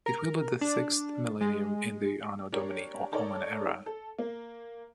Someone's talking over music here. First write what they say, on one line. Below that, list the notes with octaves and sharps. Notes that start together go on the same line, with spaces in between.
It will be the sixth millennium in the Anno Domini or Common Era.
A#4
D4
G#3
D4 G4 A#4 C#5
D#4 A4 A#4 C#5 D5
A4
A#3